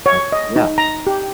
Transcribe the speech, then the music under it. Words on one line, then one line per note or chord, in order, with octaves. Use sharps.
uh, yeah.
C#5
D#5
D#4
A#5
G4